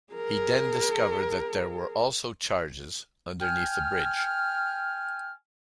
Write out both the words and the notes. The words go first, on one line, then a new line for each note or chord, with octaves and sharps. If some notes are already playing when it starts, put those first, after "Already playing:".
He then discovered that there were also charges underneath the bridge.
G#4 A#4
G5 G#5 F6